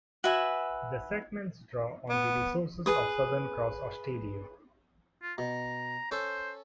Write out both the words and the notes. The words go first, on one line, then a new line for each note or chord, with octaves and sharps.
The segments draw on the resources of Southern Cross Austereo.
F#4 B4 E5 G#5
B3
G#4 B4 D#6
F4
B2 A#5
C#4 A4 C5